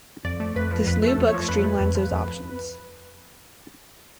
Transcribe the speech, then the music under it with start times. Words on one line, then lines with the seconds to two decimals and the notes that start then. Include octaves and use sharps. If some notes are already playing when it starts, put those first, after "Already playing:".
This new book streamlines those options.
0.25 F2 D5
0.40 A3
0.56 F2 B4
0.71 F3
0.87 F2 B4
1.02 A3
1.08 A4
1.18 F2
1.28 C#5
1.34 F3
1.48 F2 B4
1.64 A3
1.80 F2
1.95 F3
2.12 F2